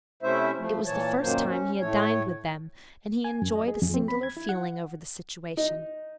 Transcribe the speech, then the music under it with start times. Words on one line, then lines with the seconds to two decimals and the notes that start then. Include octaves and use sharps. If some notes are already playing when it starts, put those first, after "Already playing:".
It was the first time he had dined with them; and he enjoyed a singular feeling over the situation.
0.23 C3 A3 C#4 E4 C5 E5
0.59 F3 A3
0.86 A#2 E3 C#5 A5
1.21 F#2 A#2 D#3 F#3 A#3 C5
1.48 C#4
1.81 A2 A3 C#5
3.24 G#5
3.42 F#2
3.55 D#5
3.68 G#4
3.82 F2
3.94 C4
4.08 B5
4.23 G#6
4.37 E4
4.49 F#5
5.57 D#4